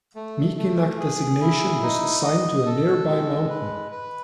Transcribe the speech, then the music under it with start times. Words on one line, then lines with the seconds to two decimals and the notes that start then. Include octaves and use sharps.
Mikinak designation was assigned to a nearby mountain.
0.16 A3
0.57 A3
0.99 G#4
1.41 E4
1.83 D#4
2.25 D#5
2.66 A4
3.07 G#3
3.49 B4
3.91 B4